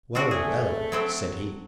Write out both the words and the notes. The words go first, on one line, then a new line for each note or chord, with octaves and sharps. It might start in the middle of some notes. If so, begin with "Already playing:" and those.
"Well, well!" said he.
C4 D4 F#4
A3 G#4
F#3 C4 A4